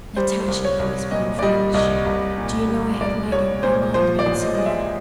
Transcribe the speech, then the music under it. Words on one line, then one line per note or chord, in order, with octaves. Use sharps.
"Natasha!" he whispered in French, "do you know I have made up my mind about Sonya?"
G3 C5
C5
C2
C#5
C2
A#2 D#5
D5
G3 D#5
C2 D#5
C2
A#2
G3
C2 D5
C2 C#5
A#2 C5
F3 C5
D5
A1
D#5
G#3 D#5
E5